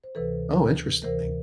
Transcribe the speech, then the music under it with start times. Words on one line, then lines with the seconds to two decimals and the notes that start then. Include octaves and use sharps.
Oh, interesting.
0.04 C5
0.15 D2 C3 E3 A4 B4
1.04 D2 C3 E3 A#4 C5